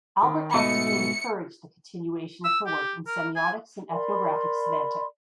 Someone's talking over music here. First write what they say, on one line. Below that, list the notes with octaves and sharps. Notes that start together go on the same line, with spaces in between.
Albert actively encouraged the continuation of her work in semiotics and ethnographic semantics.
D#3
G#2 B2 A3 D#5 E5 B5 C#7
E6
G4
A#4
G#5
A#4 D5 B5 C6